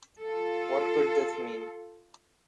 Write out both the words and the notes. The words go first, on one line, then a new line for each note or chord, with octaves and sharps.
What could this mean?
F4 A4